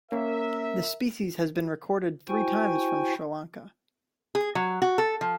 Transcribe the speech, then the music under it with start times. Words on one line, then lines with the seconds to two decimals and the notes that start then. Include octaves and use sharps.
The species has been recorded three times from Sri Lanka.
0.12 A#3 C#4 A#4 E5
2.29 E4 F#4 C5 G5 G#5 C#6
4.35 G#4
4.55 F#3
4.82 F#4
4.98 A4
5.21 F3